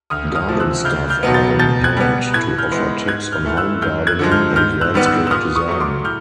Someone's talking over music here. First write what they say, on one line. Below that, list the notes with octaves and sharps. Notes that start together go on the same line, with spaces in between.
Garden staff are on hand to offer tips on home gardening and landscape design.
D2 D#6 F6
D#6 F6
C3 F3
E6 F#6
C#2 F6 G6
F6 G6
B2 F#3 B3
G6 A6
B2 G6 A6
F#6 G#6
G3 B3
A2 F#6 G#6
F6 G6
E3 G#3 B3
G#2 F#6 G#6
F6 G6
E3 A3 F6
E6 F#6
F#2 F6 G6
F#6 G#6
D3 F3 G#3
F6 G6
G#2 F6 G6
E6 F#6
D#3 G3 B3
E6 F#6
E6
A#2 D#6 F6
C#6 D#6
F#3 A3 C#6
C6 D6
A2 F6 G6